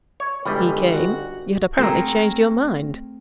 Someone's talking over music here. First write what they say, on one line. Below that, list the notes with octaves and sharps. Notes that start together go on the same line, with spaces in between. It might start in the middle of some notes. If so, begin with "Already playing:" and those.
'He came; you had apparently changed your mind.
C#5
G1 G3 G#3 D#4
F#4 F#5
A3 C4 G#4 A#4